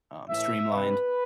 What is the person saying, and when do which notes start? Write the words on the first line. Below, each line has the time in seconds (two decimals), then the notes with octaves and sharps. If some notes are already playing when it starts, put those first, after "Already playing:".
um, streamlined,
0.29 A2 E3 A3 E5
0.71 C3 G3 C4 B4